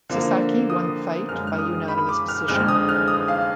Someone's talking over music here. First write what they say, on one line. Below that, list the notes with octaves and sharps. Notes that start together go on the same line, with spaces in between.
Sasaki won the fight by unanimous decision.
D3 F3 A#3
D#6
F#2 D3 G#3 F6
F6
D#6
B5
D6
F6
F2 D3 G#3 F6
D#6
F6
D#6
F5